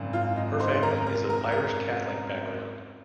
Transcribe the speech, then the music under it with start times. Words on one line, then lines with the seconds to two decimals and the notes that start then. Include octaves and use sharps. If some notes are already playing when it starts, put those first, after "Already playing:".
Her family is of Irish Catholic background.
Already playing: G#1 F#2 C#3
0.13 F4 F5
0.36 D#4 D#5
0.60 C5 C6
0.83 A#4 A#5
1.07 A#4 A#5
1.30 A#4 A#5
1.52 A#4 A#5